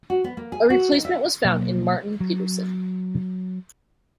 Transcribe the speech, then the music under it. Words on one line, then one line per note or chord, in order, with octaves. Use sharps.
A replacement was found in Martin Pedersen.
F#4
B3
A#3
G#4
F#4
D#4
E5
B2 F#3 A#3
F#3